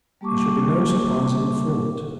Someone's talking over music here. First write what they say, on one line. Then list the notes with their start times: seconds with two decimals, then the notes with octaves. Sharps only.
There should be no surprising the fort.
0.21 G3 A#3 G4 A5 C#6 D6